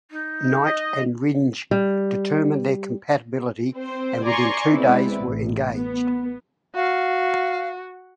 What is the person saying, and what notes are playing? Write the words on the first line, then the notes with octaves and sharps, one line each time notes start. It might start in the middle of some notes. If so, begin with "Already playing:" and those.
Knight and Rindge determined their compatibility and within two days were engaged.
D#4
D#5
G3
C4 C5
D5 G#5 A#5 C6 C#6
G#3 B3 C4 E4 B4 D5
A1
B3
F#4 F5